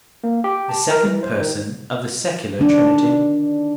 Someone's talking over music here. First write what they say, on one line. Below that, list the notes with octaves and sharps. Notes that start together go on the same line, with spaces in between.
The Second Person of the secular Trinity.
A#3
G4
A5
A#4
E3
C5
D#3
D#3 D4